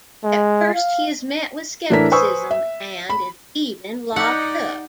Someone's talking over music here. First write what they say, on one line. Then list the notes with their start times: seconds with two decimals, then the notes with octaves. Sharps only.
At first he is met with scepticism, and is even locked up.
0.24 G#3
0.75 F5
1.90 A2 E3 D4 A4 A#4 B6
2.12 B4 C5 G#5 C#6 D#6 E6
2.51 E5
3.10 B5
4.16 D#4 G4 D5 F#5